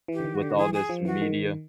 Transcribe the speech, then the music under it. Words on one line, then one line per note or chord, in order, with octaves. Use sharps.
with all this media.
E3 G4
D3
D#3
F#4
D3 G4
F#4
E3 G#4
G#4
F3
E3 F#4
D#3